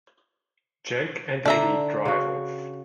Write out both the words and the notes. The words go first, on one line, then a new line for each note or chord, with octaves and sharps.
Jake and Eddie drive off.
D3 D4 E5 A#5
C#3 F#4